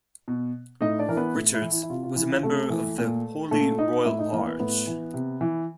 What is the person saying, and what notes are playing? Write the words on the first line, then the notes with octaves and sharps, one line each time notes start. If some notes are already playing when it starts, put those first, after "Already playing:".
Richards was a member of the Holy Royal Arch.
B2
A2 D#4 D#5
D4 D5
E3 A#4
B3 B4
A2
E4
E3
E4
E4
C3 F4
F4
E3 E4
F4
C3 A3 A4
E3
A#2
A#2 A3 A4
D#4 D#5
A2 E4 E5
D#4 D#5
E3 A#3 A#4
B3 B4
A2 B3 B4
E3
C3
E3